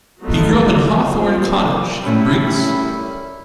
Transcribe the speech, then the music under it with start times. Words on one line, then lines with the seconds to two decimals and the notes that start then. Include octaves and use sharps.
He grew up in Hawthorne Cottage in Brigus.
0.21 F#3 A3 B3 D#4 F4 F#4
1.01 A#3 C4 D4 F4 G4
2.04 F#2 A2 G3 C#4 E4 B5